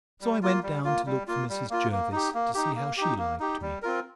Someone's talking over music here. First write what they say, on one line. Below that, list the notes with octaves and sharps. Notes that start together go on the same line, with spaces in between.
So I went down to look for Mrs. Jervis, to see how she liked me.
G3
A#3 F4
G3
A#3 F4
G3
A#3 F4
G3
A#3 F4
A#3
D#4 G4
A#3
D#4 G4
A#3
D#4 G4
A#3
D#4 G4
G3
C4 F4 A#4